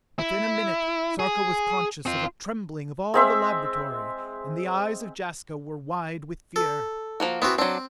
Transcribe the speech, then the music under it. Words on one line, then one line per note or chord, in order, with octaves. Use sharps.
Within a minute, Sarka was conscious of a trembling of all the laboratory, and the eyes of Jaska were wide with fear.
E4
G#4
C4 F4
G#3 C4 E5
A4
F3 A#3 F#4
E3 B3 C4 F#4
F#3 C4 D4